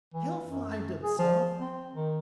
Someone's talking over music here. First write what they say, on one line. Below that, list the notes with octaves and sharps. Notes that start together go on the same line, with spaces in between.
He'll find himself.
E3
F#2
G#4
F3
C4
D#3